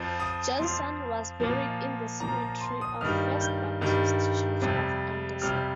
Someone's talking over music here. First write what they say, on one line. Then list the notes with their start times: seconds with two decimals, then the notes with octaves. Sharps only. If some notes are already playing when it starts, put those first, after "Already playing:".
Johnson was buried in the cemetery of First Baptist Church of Anderson.
Already playing: F2 F3
0.20 D#6
0.59 F2 F3 C6
1.40 A#2 F3
2.20 A#2 F3 A#5
2.41 A#5
2.61 C6
2.81 D#6
3.01 G2 D#3 G3 F6
3.41 G6
3.81 G2 D#3 G3
4.62 F2 C3 G3
5.42 F2 C3 G3 F6